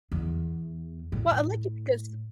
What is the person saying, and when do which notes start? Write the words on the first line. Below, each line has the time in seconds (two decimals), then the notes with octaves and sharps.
Well, I like it because,
0.12 E2
1.12 A2